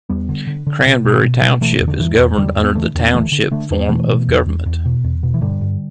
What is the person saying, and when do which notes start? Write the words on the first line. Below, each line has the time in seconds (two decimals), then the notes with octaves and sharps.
Cranbury Township is governed under the Township form of government.
0.09 E2 G3 B3
0.29 D3
0.47 D3
0.67 D3
0.85 B2
1.05 B2
1.23 B2
1.42 B2
1.61 B2 E3 A3
1.81 E2
1.88 D3
1.99 E2 E3
2.18 E2
2.37 E2 D3 G3
2.56 E2
2.64 B3
2.75 D3 E3 A3
2.95 E2 D4
3.06 B3
3.13 D3 E3 A3
3.32 D3
3.52 D3 A3 D4
3.70 E2 D4
3.80 B3
3.89 B2 E3 A3
4.08 B2
4.28 E2
4.46 E2
4.66 E2
4.85 B2
5.04 E2
5.23 B2
5.34 E3
5.41 G2 D3 G3
5.61 G2